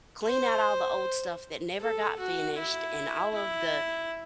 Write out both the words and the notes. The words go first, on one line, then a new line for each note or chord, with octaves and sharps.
clean out all the old stuff that never got finished and all of the
C5
A4
F#4
E4
E4